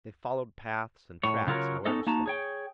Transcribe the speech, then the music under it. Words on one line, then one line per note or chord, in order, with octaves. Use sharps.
They followed paths and tracks, however slight.
A2 C#5
C#3 F#3 F4 A4 A#4 C#5
B3 C#4 D#4 A4 D#5
A#3 D#4 F#4 A5 A#5
G#4 C#5 G5